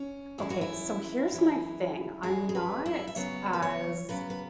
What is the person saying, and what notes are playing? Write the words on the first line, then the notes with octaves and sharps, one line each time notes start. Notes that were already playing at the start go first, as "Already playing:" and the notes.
Okay. So here's my thing, I'm not as
Already playing: C#4
F#2 E3 G#3 C#4 E4
F#4
E4
F#2 E3 G#3 C#4
F#2 E3 G#3 C#4 G#4
G#4
B4
E4
E5
C#3 F#3 B3 C#5
B4
C#5
C#3 F#3 B3 B4
B4